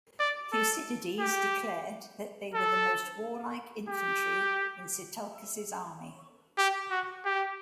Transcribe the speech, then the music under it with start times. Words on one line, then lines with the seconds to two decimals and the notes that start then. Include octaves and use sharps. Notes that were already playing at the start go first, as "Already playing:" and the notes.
Thucydides declared that they were the most warlike infantry in Sitalkes' army.
0.19 D5
0.52 A4
1.20 G4
2.54 A4
3.89 G4
6.58 G4
6.90 F#4
7.25 G4